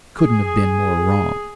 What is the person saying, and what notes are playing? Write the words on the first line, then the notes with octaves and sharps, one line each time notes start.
He couldn't have been more wrong.
G#4